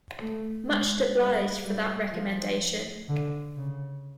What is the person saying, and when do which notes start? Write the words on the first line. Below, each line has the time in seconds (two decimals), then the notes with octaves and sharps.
Much obliged for that recommendation.
0.19 A3
0.67 G#3
1.16 G3
1.64 G3
2.12 F3
3.09 D3
3.57 C#3